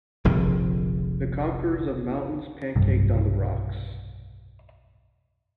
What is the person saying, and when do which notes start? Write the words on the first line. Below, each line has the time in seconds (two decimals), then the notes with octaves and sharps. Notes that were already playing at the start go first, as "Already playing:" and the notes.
These conquerors of mountains pancaked on the rocks.
0.25 F1 A#1 F2 D3
2.76 F1 B1 G2